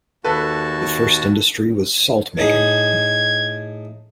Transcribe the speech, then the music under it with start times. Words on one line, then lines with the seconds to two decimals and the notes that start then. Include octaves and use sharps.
The first industry was salt-making.
0.24 D#2 F#4 A4 B4 A5
2.37 A2 D#4 G#4 G#6